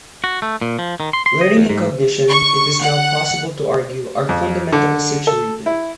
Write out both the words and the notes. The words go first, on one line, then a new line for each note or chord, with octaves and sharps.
Learning and cognition, it is now possible to argue, are fundamentally situated.
F#4
A3
A#2
F3
D#3
C6
C6
D#5
E2
G#2
C#6
F#5
F2
D3
A4
E4